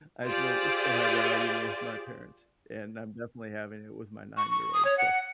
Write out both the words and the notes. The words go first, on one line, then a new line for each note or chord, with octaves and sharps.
I still still have that argument with my parents, and I'm definitely having it with my nine-year-old, so
F4 G4 G#4 C5 D5
C#6
C#6
D#6
C#5
F#5